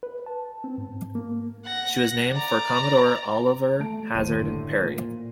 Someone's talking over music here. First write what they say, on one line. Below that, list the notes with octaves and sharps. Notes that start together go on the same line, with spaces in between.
She was named for Commodore Oliver Hazard Perry.
B4
A5
C4
G#2
A#3
F#5 A#6
D5 A#5
A3 A5 D7
F#1 D#2 C5 D#7
A2 D3
A#2